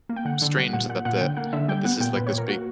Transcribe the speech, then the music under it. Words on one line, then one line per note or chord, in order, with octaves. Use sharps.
strange that the that this is, like, this big,
A#3
G5
D3 F#5
D3
G3 F#5
A#2 F#5
A#2 F#5
A#2 F#5
D3 G5
A#3 F#5
D3 E5
G3 G5
B3 F#5
A#2 G5
A#2 B4
C#5
A#2
A#4
A#3 F#4